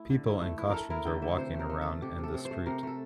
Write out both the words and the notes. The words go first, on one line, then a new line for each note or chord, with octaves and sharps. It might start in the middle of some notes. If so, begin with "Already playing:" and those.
People in costumes are walking around in the street.
Already playing: A3 E4
D3
E4
A3
E4
A3 A4 A#4
E4 A#4
D3 G5
D3 E5
C3 C5
A3
A#4
A3
A3 A4
C3 G4
C3
A4
C3
C5
A3
C3 A#4
A3 A4